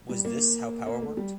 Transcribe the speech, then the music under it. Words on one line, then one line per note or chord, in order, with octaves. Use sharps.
Was this how power worked?
G3
A#3
A#3
A3
G3